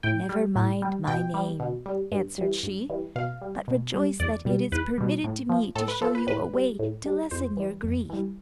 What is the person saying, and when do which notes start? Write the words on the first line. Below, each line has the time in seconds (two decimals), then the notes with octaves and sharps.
'Never mind my name,' answered she, 'but rejoice that it is permitted to me to show you a way to lessen your grief.
0.03 A2 G5
0.29 G3
0.56 A2
0.82 G3
1.07 B2 G5
1.34 G3
1.60 B2
1.86 G3
2.12 G2
2.38 E3 G3
2.63 G2
2.90 E3 G3
3.16 B2 F5
3.42 G3
3.68 B2
3.94 G3
4.20 E2 D5
4.45 B2 G3
4.72 E2 B4
4.98 B2 G3
5.24 A2
5.49 F3
5.75 A2 A4
5.88 B4
6.02 F3 A4
6.15 B4
6.27 A2 B4
6.53 G3
6.79 A2
7.06 G3
7.31 F2 C5
7.57 E3 G3
7.83 F2
8.10 E3 G3